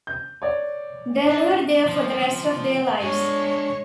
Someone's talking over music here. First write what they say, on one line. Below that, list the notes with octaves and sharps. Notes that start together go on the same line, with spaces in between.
They lived there for the rest of their lives.
G6
C#5 D5
D4
F3
G#3 D4 C#5 G#5